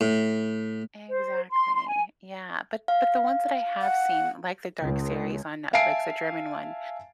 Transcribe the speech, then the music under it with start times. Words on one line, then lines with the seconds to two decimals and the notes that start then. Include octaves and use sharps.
Exactly. Yeah. But but the ones that I have seen, like the Dark series on Netflix, the German one,
0.01 A2
1.10 C5
1.50 C6
1.75 C6
1.87 G#5
2.88 F5
3.81 F#5
4.81 C#2
5.73 E5 F5 G#5 A5 C7 D7